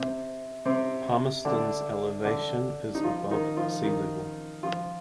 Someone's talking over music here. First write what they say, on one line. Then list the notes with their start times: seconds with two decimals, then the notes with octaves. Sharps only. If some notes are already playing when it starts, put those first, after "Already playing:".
Palmerton's elevation is above sea level.
Already playing: C3 C4
0.65 C3 C4
1.45 D3 D4
2.25 D3 D4
2.95 D#4
3.04 F3 F4
3.31 D#3 D#4
3.57 F3 F4
3.84 D#3 D#4
4.63 F3 F4